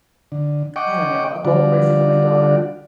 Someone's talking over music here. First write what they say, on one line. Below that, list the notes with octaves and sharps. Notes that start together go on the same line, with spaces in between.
I don't know, a gold bracelet for my daughter,
D3
D#5 F#5 G5 C#6 D6
D3 G3 F4 F#4 D5